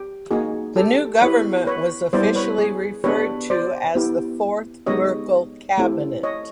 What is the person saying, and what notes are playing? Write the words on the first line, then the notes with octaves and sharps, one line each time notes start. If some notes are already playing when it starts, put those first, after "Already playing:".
The new government was officially referred to as the Fourth Merkel cabinet.
Already playing: G4
A#3 D#4 F#4 G#4
G4 A4
B3 E4 G4 B4 C#5
B4 C#5
G3 B3 E4 G4 C5 D5
B4 C#5
G#4
B3 D4 G4 B4 C#5
C5 D5
B3 E4 G4
G#3 B3 D#4 G4 C#5 D#5
A3 C4 E4 G4
C#5 D#5